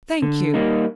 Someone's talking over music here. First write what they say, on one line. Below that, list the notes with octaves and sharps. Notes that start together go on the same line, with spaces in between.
'Thank you.
D3
G3 A#3 D#4